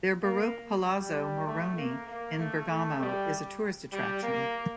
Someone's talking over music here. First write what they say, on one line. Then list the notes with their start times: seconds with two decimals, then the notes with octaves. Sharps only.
Their Baroque Palazzo Moroni in Bergamo is a tourist attraction.
0.23 A#3
0.84 G3
1.46 A3
1.77 A#3
2.08 A#3
2.39 A3
2.69 A3
3.00 G3
3.93 G3
4.23 A#3